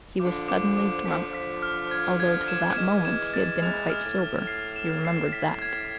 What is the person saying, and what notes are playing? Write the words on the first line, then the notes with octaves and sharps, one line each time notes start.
He was suddenly drunk, although till that moment he had been quite sober, he remembered that.
D3 F3 D6
D6
D6
D3 F3 B6
B6
F6
G#6
G#6
E7
F3
E3 G#3 E7
E7
A6
E3 G#3 F7
F6
A2
F6
C7
E7
C7
B6
G#6